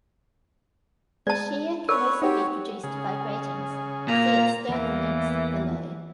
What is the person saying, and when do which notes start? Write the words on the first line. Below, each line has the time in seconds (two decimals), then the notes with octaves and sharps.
The shear can also be produced by gratings, see "External Links" below.
1.27 G#3 D5 A5 A6
1.89 A#4 B4 C#5 D5 C#6
2.22 C4 D#4 F#4 G4 C#5
2.84 C#3 G#4
4.08 A#2 A#3 A#5
4.69 E2 E3 A#3